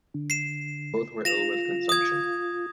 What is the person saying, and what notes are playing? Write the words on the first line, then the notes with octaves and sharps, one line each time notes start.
Both were ill with consumption.
D3
C7 E7
F4 A#6 E7 F7
D#6 G#6